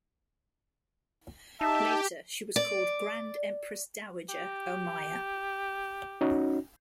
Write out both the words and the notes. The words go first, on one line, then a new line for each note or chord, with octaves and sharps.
Later, she was called Grand Empress Dowager Omiya.
D#4 G4 E5 A5
D5
G4
C#4 D#4 F#4